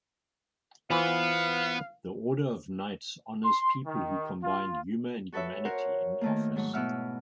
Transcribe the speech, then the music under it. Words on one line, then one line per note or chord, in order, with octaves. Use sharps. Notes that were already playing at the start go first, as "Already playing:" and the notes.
The order of knights honors people who combine "humor and humanity in office".
E3 B3 F4 B4 C5 F5
C6
D#3
F4
F#4 A4 B4 C#5 E5
F#4 A#4 C5 C#5 F#5
D#3 A3 A#3
G#2 F#3 A3
B2 E4 E5 F#5 F6